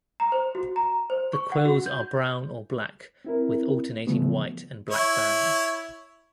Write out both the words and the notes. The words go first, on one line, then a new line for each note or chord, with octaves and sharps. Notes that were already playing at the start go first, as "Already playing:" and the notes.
The quills are brown or black with alternating white and black bands.
A#5
C5
F#4
A#5
C5
C#6
F#5
F#4
G6
C4 E4 A#4
C#3 E3 F3 G3 A3 B3
E4 C#5